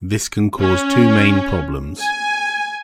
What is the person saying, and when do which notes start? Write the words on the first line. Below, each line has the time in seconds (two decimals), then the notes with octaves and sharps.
This can cause two main problems.
0.60 C#4
2.00 G#5